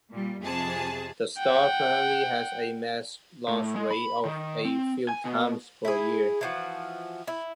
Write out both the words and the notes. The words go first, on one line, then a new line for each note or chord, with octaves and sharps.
The star currently has a mass loss rate of a few times per year.
A#2 G3
F2 C3 G#4 A5
F#5 G5
A2
G#3
B5
D#3
C4
G#5
B2
E4 F#4 G#4
E3 F3 F#4
E4